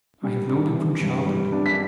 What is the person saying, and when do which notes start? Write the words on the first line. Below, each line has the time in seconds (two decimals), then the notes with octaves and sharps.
I have known him from childhood.
0.24 G3
0.48 D4
0.75 E3
1.00 G2
1.26 G3
1.52 D4
1.66 B6